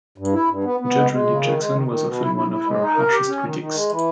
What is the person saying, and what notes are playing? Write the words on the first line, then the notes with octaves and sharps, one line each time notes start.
Judge Randy Jackson was often one of her harshest critics.
G2
E4
G2
B3
B3
G#3
G#3
C#3
D#3
G#3
D#3
D#3
B2
E4
E4
E4
G#3
D#4
A#4
G4
C#4
D#3
D#3
G#3
E3